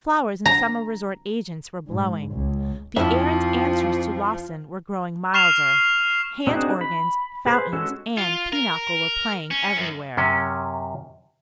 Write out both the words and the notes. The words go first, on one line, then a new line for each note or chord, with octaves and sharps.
Flowers and summer-resort agents were blowing; the air and answers to Lawson were growing milder; hand-organs, fountains and pinochle were playing everywhere.
A#5
G#2
C#2
F2 F3 E4 E5
C#6 F6 C7 E7 F7
C4 D4 D#4 F#4 G#4
B5
G#4 B4 C5
G#3 C#4 F#4 A4
F4
A#4
C#4
F#2
F#2 C3 C#4